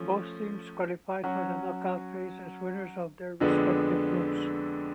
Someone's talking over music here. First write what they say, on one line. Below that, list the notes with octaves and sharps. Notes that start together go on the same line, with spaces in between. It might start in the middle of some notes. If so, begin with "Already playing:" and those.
Both teams qualified for the knockout phase as winners of their respective groups.
Already playing: F3 A3 C#4
F#3 C#4 F#4
F2 D3 G#3 B3 D4